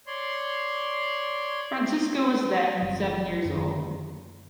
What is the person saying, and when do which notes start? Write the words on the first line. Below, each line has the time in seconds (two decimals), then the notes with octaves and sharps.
Francisco was then, seven years old.
0.07 C#5 D5 C6
2.82 F#1 E3 G3 C#4
3.45 F#2 D3 D#3